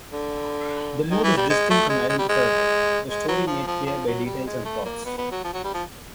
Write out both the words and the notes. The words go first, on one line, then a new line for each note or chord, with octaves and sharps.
The mood is distinct and identifiable, the story made clear by details and props.
D3
D#3
E3
G3
G#3
A3
G#3
G#3
G3
G#3
G#3
F#3
F3
F3
F3
F#3
G3
G#3
A3
A#3
B3
B3
F#3
F3
F#3
G3
F3